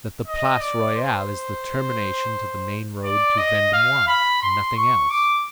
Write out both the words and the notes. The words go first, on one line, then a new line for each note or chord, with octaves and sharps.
"That the Place Royale is the termination to the main road to Vendomois, and nothing else."
D#5
D5
C5
D5
D#5
F5
B5
C6
C#6
D6